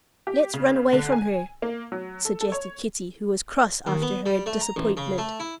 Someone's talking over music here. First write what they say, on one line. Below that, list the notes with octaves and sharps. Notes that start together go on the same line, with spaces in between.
"Let's run away from her," suggested Kitty, who was cross after her disappointment.
G4
C#3
D3
G#5
A#3
F#3
A4
A4
C#5
D#2
B3
G3
A3
A#5
A1
C#3
A3
E4